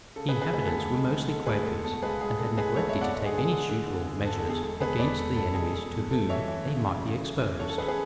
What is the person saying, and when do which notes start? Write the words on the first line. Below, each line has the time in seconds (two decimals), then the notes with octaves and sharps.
The inhabitants were mostly Quakers, and had neglected to take any suitable measures against the enemies to whom they might be exposed.
0.16 C#3 A4
0.29 G#4 B4
0.34 C#3
0.41 G#4 B4
0.53 D2 G#4 B4
0.65 A4
0.71 D2
0.78 G#4
0.91 G#3
1.10 G#3
1.28 G#3 A4
1.46 D2 G#4 B4
1.65 G#3 A4
1.83 B2 A4
2.02 C#2 G#4 B4
2.21 G#3 G#4
2.39 B2 A4
2.58 G#3 G#4 B4
2.76 C#2 A4 C#5
2.89 C#5 E5
2.95 B2
3.01 D5 F#5
3.13 G#3 A4
3.26 G#4
3.32 D3
3.38 G#4
3.51 D3
3.69 D3
3.88 D3
4.07 D3
4.25 D3 A4
4.38 A4
4.43 E2
4.50 G#4
4.62 E1 A4
4.80 E1 G#4 B4
4.99 E2 B4 D5
5.18 E1 A4
5.36 E1 A4
5.55 E1 G#4
5.74 E1 A4
5.92 E2
6.11 A3 A4
6.29 E3 C#5 E5
6.48 E3
6.67 C#3
6.86 F#2
7.05 C#3
7.23 A3
7.42 E3
7.59 C#4 A4 C#5
7.70 A4
7.78 C#4 G#4 B4
7.88 G#4 B4